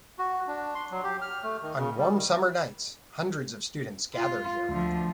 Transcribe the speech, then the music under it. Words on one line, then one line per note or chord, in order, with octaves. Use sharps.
On warm summer nights, hundreds of students gather here.
F#4
D4
C6
F#3
G4
F6
A3
D#3
C#3
G3
D#3
F4
D2 F3